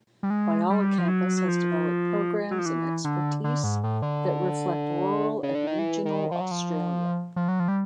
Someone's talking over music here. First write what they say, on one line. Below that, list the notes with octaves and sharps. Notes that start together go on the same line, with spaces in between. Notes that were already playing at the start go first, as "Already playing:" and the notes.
Whyalla campus has developed programs and expertise that reflect rural and regional Australia.
G3
G#3
G3
F3
F#3
F#3
F3
F#3
F3
E3
D3
D3
G#2
A2
D3
C#3
D3
D#3
E3
D#3
F3
F#3
F3
F3
F#3
F3
G3